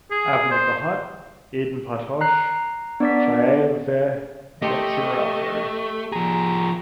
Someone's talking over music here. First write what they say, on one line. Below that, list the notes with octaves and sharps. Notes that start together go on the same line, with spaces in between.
Avner Bahat, Eden Partosh: Chayav ve-yetsirato.
G#4
C5
A#5 F#6 C7
B3 D4 D5 B6
A3 G4 D#5 C6
F3 G#4 A#5